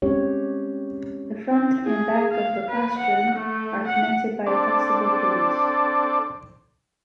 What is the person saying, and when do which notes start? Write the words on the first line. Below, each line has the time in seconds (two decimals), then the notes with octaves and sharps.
The front and back of the plastron are connected by a flexible hinge.
0.02 G#3 C4 C#4 G4 C#5
1.51 C4
1.85 G#4
2.31 F5
2.70 B4
2.99 F#5
3.36 A3
3.87 F#5
4.46 C4 D4 A4 D5